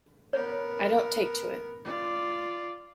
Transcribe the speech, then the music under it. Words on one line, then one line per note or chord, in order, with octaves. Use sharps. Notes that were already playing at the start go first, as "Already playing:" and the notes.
I don't take to it.
B3 A#4 C#5
F4 D5